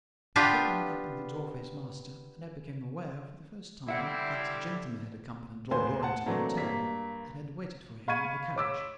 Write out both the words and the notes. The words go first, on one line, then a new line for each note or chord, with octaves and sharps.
The footman opened the door for his master, and I became aware, for the first time, that a gentleman had accompanied Lord Loring to the hotel, and had waited for him in the carriage.
B3 D4 F4 G4 B4
D3 G3 C4 E4 E5 F#5
D#2 A2 B4 C5 G#5 C6
F#5 A5
E3 F#3 A3 A#3 C4 D4
G2 A#3 B6
F5 B5 C#6 G#6 D#7
C#5 D6 E6 B6